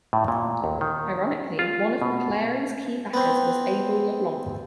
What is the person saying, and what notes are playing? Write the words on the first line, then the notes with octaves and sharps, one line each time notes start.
Ironically, one of McAlary's key backers was Abel LeBlanc.
A2
A#2
D#2
D#3
F4
B2
B3 C4